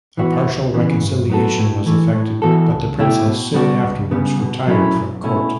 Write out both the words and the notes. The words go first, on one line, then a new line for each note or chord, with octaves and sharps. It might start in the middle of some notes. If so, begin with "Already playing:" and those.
A partial reconciliation was effected, but the princess soon afterwards retired from court.
E3 B3 F#4
D2
C#3 E3 B3
G2
F#3 B3 F#4 A4
A2
E3 A3
A2
E3 B3 F#4 A4
C#2
B2 A3 E4 G4
B2
G3 B3 D4 F#4
C#2
C#3 G3 B3
B2
F#3 A3 C#4 E4
B1
B2 A3 C#4 E4